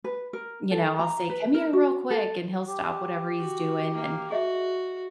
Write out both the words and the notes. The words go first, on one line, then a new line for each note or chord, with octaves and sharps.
You know, I'll say, "Come here real quick," and he'll stop whatever he's doing, and
B4
A#4
A4
A#5
B4
A#4
F#4
A4
G4
F#4
A#3
F#4 G#4 D#5 E5